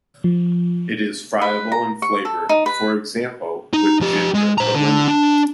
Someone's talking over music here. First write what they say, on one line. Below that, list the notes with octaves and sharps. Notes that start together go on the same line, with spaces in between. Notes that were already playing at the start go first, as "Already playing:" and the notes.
It is friable and flavoured, for example, with ginger or lemon.
F3
B4
A#5
C#6
A4
D#4
B4
D#4
F3 G4
G#3
C5 A#5
D3
D4